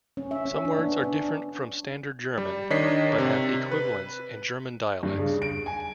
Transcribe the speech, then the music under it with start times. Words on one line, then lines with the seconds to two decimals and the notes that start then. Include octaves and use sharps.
Some words are different from Standard German but have equivalents in German dialects.
0.17 C#4
0.31 E5
0.45 C#4
0.65 D4
0.79 B3
1.04 D4
2.38 G3
2.70 D#3 D4 C#5 D#5 B6 C7
3.18 C3
3.71 B4
5.03 G2
5.18 C#3
5.42 D7
5.66 G#5